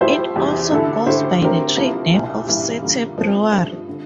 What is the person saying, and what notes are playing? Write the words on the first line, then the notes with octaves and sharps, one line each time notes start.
It also goes by the trade name of City Brewery.
F3 A3 E4 G4 C5
E2 C3 G3
D3 A3 E4 A4
D3 A3 E4 G4 C5
D3 A3 C4 G4 A#4
C3 F3 A#3 E4
C2 A#2 G3
G2 E3 G3 A#3
D3 G3 A#3 F4
C3 F3 C4
G2 F3 A3
D3